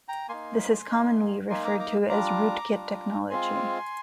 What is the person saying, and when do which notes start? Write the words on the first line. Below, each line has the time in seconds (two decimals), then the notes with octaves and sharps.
This is commonly referred to as rootkit technology.
0.08 G5 A#5
0.29 A#3 D#4 G#5 C6
0.89 A#3 D#4
1.49 A#3 D#4 G#5 C6
1.64 A#5 D6
1.80 A#5 D6
2.09 G3 D4 F4 A#5 D6
2.70 G3 D4 F4
3.30 G#3 C4 F4 G#5 C6